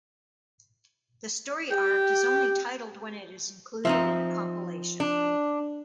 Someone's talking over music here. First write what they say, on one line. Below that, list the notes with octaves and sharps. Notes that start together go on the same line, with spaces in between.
The story arc is only titled when it is included in a compilation.
G4 G5
F3 C4 D#4 E5
D4